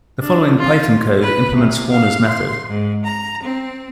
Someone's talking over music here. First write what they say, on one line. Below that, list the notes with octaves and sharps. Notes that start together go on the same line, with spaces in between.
The following Python code implements Horner's method.
D4
F4
B4
C3
F5
C6
G#2
A#5
C4